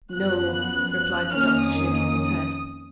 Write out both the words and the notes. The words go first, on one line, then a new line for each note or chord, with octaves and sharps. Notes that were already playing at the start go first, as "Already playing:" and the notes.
'No,' replied the Doctor, shaking his head.
F#2 F3 B3 F#6
F2 D#3 A#3 C#4 F6
D#6